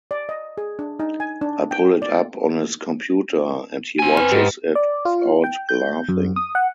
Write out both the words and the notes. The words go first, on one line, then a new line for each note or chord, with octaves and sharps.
I pull it up on his computer and he watches it without laughing.
D5
D#5
G#4
D4
D#4
G#5
D4
G5
D5
C4 G#5
B4
G#2 G4
D5
F4
G5
G6
F#2
D#6
F#5